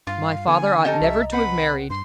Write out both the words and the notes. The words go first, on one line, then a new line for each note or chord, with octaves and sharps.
My father ought never to have married.
G2 F4 F5
D3 B3 G#5
C#4 G4 A4 D#5 A5 A#5
C2 E5
C4 B4 F#5 B5
G2 C6